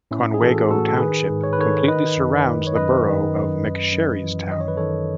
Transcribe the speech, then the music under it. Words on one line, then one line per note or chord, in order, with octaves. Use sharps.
Conewago Township completely surrounds the borough of McSherrystown.
A2 C#4 E4
G#4
E3 F#4 A4
A2 F#4 A4
A4
D#3 G#4 B4
G#2
C#5
B4
D#3 A4 C#5
D#3 B4 D#5
F#2
D#3
C#5
F#2 B4 D#5
D#3
F#2
F#2
F#2
E3
D#3 D#5
C#5
B4
D#3 A4 C#5